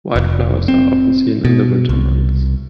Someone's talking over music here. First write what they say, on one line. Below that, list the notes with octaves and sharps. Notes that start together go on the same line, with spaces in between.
White flowers are often seen in the winter months.
F1
C4
B2
C2